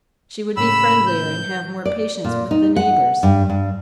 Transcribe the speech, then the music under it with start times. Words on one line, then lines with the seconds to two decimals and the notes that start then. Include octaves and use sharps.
She would be friendlier, and have more patience with the neighbours.
0.57 A2 C#3 B5 E6
1.06 G6
1.86 D5
2.25 A#2
2.51 D#4
2.76 F#5
3.23 G2
3.50 G2